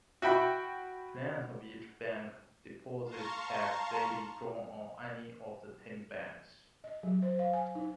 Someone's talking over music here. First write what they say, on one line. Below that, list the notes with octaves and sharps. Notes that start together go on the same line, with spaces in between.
Clients of each bank deposit checks daily drawn on any of the ten banks.
F#4 E5 G5 B5
F5 A5 A#5 C6 C#6
D#5
F#3
C5
F5
G#5
D#4